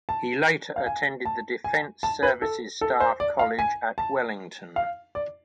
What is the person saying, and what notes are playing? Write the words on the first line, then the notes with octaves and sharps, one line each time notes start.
He later attended the Defence Services Staff College at Wellington.
A5
F5
G#5
A5
G#5
A5
B4
A4
A4
C5
D5
F5
G#5
A5
F5
D5